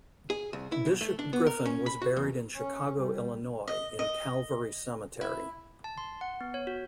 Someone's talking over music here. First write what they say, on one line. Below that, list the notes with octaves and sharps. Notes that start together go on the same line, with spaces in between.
Bishop Griffin was buried in Chicago, Illinois in Calvary Cemetery.
G#4
C2
E4
B1
A3
D4
B3
A#4
C#4
B5
F#4
E2
C#4
G3
D#5
D#5
E4
A5
C6
F#5
B3
C#5
F#4